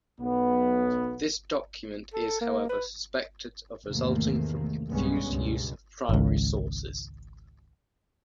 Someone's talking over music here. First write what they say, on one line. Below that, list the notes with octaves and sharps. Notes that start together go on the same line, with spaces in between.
This document is however suspected of resulting from confused use of primary sources.
B1 B3
A4
A#3
B4
G#1 E2 C3 D#3 A3 A#3
B1 G2 C#3 G#3 B3 C#4
C#2 G2 B2
G#1 C#2